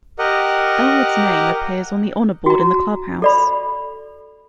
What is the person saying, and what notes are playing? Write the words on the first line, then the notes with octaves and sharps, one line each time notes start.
Ellwood's name appears on the honour board in the clubhouse.
G4 A#4 D#5 F#5
F#4 A#5
A4 D5 B5